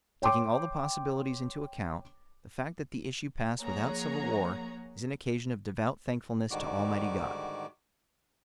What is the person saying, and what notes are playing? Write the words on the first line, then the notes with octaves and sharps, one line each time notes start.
Taking all the possibilities into account, the fact that the issue passed without civil war is an occasion of devout thankfulness to Almighty God.
C#5 G5 C6 D6
F3 A#3 G#4 C#5 F#5 A#5
G#2 D3 D#3 G3 F#4 D6